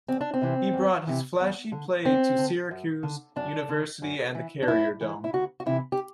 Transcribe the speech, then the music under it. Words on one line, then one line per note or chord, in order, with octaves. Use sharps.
He brought his flashy play to Syracuse University and the Carrier Dome.
E2 C4
D4
C4
C3 E3
E2
C3 E3
E2
D3
E2 C4
D3
F#2
D3
F#2 D4
D3
F#2
E3
D4
F#2 E4
E3
E4
D2 F#4
F#4
C3 E3 E4
G4